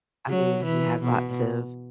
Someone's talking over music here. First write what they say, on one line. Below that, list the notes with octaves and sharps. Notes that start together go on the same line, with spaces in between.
I mean, he had lots of
F#3
E3
B2